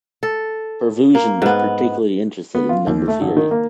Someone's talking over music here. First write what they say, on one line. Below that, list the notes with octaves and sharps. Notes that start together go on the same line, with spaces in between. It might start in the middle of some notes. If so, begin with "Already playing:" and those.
Pervushin was particularly interested in number theory.
A4
A#3
G#2 B3
B3
F4
D#2
A3
G#1
D#3
A#3